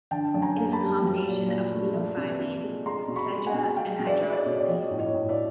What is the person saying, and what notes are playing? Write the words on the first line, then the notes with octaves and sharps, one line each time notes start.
It is a combination of theophylline, ephedra, and hydroxyzine.
D3 G5 A5
F#2
G#5 A#5
A#3
A5 B5
G3
F#3
A#2
A#2
A3
F3
C3
C3
G#3
G#3 A#5 C6
B2
B5 C#6
G#3
F#5 G#5
B2
G#3 F5 G5
B2
D5 E5
G#3
D5
C#5 D#5
B2
D5
F3 C#5 D#5
A2
C#5 D#5
A2
D5 E5